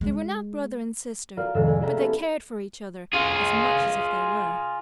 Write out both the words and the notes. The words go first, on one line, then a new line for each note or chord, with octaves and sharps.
They were not brother and sister; but they cared for each other as much as if they were.
G#3
F4 F#4 A#4 C5 D5 F5
F2 A2 C3 D#3 G#3 E6
D5 G#5
D4 F4 G#4 E5 G5 A#5
A#3 B3 C#4 E4 G4 A4
F4 G#4